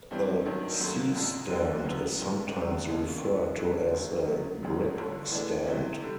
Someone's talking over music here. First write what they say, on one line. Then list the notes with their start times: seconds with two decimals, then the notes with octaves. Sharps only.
A C-stand is sometimes referred to as a "grip stand".
0.11 G2 E3 G3 C4
0.45 A1 G2 D#3 F#3
0.80 G#1 F#2 D3 F#3 A#3
1.14 A#1 G#2 F3
1.49 D#2 D3 F#3 B3
1.84 E2 C#3 F#3 B3
2.18 F#1 F#2 D#3
2.54 G2 D3 G3 C4
2.88 D2 C#3 F3 A#3 D#4
3.23 B1 B2 F#3 B3 E4
3.58 D2 D3 F#3 B3
3.93 G#1 G2 D#3
4.27 E2 C#3 F#3
4.62 G#1 F#2 C#3 F#3
4.96 G1 G2 D3 F3
5.31 A2 E3 G#3 B3 D4
5.67 E2 C3 E3
6.02 D3 G3